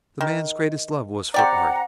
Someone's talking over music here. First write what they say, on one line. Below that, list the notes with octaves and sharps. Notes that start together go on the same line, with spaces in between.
The man's greatest love was for art.
D#3
C4 G4 D5 F#5 A#5